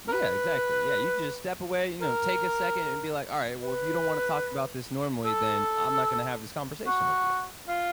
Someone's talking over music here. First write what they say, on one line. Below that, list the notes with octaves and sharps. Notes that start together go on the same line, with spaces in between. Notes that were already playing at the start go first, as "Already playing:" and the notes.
Yeah, exactly, yeah, you just step away, you know, take a second and be, like, "All right, well, if you don't wanna talk about this normally, then I'm not gonna have this conversation with you."
A#4
B4
A#4
B4
A4
F#4
F4